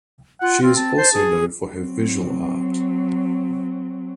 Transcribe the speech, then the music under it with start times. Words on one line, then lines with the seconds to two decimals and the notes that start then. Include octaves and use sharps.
She is also known for her visual art.
0.42 F4 F#5
0.63 C4 F4
0.77 A5
0.97 C5
1.13 G#4
1.77 F#3 C4